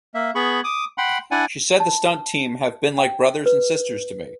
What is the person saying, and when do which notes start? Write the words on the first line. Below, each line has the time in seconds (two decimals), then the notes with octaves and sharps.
She said the stunt team "have been like brothers and sisters to me".
0.14 A#3 E5
0.35 B3 G#4 B5 C#6
0.64 D6 D#6
0.98 F#5 G5 B5 C6
1.31 D4 E4 D5 F#5 G#5
1.80 A5
2.98 G5
3.46 B4